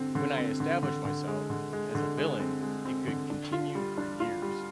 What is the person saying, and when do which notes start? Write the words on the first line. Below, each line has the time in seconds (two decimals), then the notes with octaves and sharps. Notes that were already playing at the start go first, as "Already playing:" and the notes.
When I established myself as a villain it could continue for years.
Already playing: D3 C4
0.15 D3
0.38 C4
0.60 D3
0.83 D3
1.05 D3
1.27 G#3
1.50 D3
1.73 G#3
1.95 D3
2.18 G#3
2.40 C4
2.62 G#3
2.85 C4
3.08 D3
3.30 D4
3.52 F4
3.75 G3
3.98 D4
4.20 F4
4.42 G3